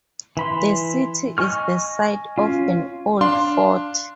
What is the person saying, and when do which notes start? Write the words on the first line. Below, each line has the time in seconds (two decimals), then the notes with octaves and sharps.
The city is the site of an old fort.
0.37 E3 B5 C6
1.38 D#5 G#5 C#6 F6
2.38 C#4 F4
3.21 D4 F5 C6